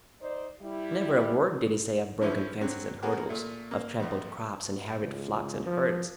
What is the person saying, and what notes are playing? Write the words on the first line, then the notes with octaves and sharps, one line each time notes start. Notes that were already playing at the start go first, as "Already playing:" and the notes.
Never a word did he say of broken fences and hurdles, of trampled crops and harried flocks and herds.
D#4 C5 D5
G3 E4
D3 E3 F3 C#4 E4
D3 F#3 C4
A#3 B3 F#4 G#4 A#4
A#2 A3
A#3
A#1 F2
C#2
F3